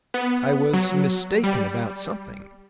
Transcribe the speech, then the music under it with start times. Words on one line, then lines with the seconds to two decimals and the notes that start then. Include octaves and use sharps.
I was "mistaken" about something.
0.14 B3
0.74 F#3
1.44 G3